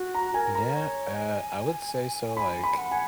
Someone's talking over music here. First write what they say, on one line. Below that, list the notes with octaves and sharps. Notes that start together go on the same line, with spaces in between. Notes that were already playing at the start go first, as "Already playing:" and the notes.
Yeah, uh, I would say so, like,
Already playing: F#4
A#5
A#4 G#5
A#5
C#5
G#5
G#5 B5
B5
F#5
G#5